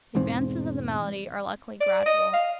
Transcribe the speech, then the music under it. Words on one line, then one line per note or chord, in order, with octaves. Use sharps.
The advances of the malady are, luckily, gradual.
E1 E2 G#2 C4
D5
D#5
F5